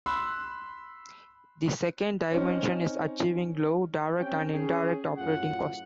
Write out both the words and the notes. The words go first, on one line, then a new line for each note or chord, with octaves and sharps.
The second dimension is achieving low direct and indirect operating costs.
B5 C6 E6 F#6
C4 C#4 D#4
C4 C#4 G4 G5
C#4 G#4
F#2 A2 F4 F#5